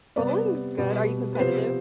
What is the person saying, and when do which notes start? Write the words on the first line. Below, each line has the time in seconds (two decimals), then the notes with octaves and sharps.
bowling's good. Are you competitive?
0.16 C3 G3 B3 D5
0.78 B2 G3 B3
1.35 B4
1.39 C3 F3 B3 C5